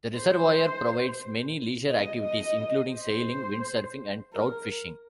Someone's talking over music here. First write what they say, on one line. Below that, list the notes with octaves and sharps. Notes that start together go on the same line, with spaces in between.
The reservoir provides many leisure activities including sailing, windsurfing and trout-fishing.
C5
D#5
D#5
C5
A#4